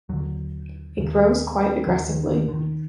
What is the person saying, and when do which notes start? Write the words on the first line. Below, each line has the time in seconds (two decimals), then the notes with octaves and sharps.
It grows quite aggressively.
0.09 D#2 D3 F#3
0.98 D#2 C#3
1.86 D#2 C#3 F3
2.09 D#3
2.26 D3
2.31 D#3
2.48 D3
2.54 D#3